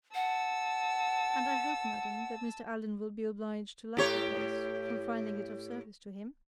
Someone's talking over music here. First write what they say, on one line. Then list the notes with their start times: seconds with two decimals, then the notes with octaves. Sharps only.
"And I hope, madam, that Mr. Allen will be obliged to like the place, from finding it of service to him."
0.15 F#5 A5 E6
3.97 A2 G4 C#5